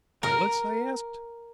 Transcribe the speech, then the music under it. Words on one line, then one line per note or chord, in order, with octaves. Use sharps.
"Pilots?" I asked.
A#4